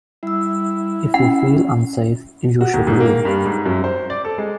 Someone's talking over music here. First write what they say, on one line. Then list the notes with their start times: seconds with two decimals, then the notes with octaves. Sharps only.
If you feel unsafe, you should leave.
0.23 G3 E4 E6
1.14 C#4 F#5
2.61 F#4
2.74 D#2
2.87 G#2
3.00 A#3
3.25 G2
3.45 G#2
3.66 F#2
3.84 C5
4.10 D5
4.25 A4
4.38 G#3